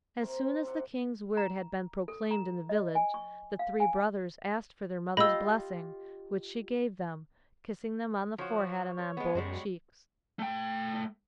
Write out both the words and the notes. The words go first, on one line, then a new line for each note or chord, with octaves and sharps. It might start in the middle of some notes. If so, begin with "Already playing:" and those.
As soon as the King's word had been proclaimed in the village, the three brothers asked for their mother's blessing, which she gave them, kissing them on the forehead and on both cheeks.
C3 A#4 C5 C#5
C3 E4 D5 F#5
A#5
A4
A#5
D#5
G#5
C#6
F5
G#5
F4 G4 D#5 B5 E6
F3 F#4 C#5
C#5
G#3 B3
F#2 G3 G#3 F#4
A3 G5